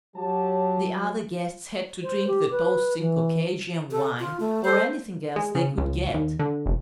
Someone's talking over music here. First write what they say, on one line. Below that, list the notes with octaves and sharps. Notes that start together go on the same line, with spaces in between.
The other guests had to drink the toasts in Caucasian wine or anything else they could get.
F#3 G4 A5
C5
G4
B4
E3
A4
F4
A3
A4 C5
G#3
C#3
C#2
D#2
D3
F1